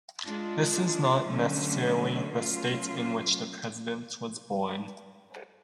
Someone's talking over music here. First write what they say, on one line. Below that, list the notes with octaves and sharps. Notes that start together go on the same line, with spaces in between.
This is not necessarily the state in which the president was born.
G#3 D4 F4
D3 F#3 A3 C#4
F#3 A3 C#4 F4